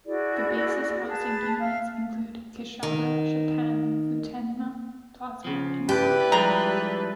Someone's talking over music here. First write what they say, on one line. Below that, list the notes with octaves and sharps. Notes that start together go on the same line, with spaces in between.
The base's housing units include Kishaba, Chatan, Futenma, Plaza and Sada.
E4 F#4 G#4 D5
G#4 B4 A5
E5 F5
D#3
C#3 F3
D4 E4 G4 B4
F3 G3 G#3 A#5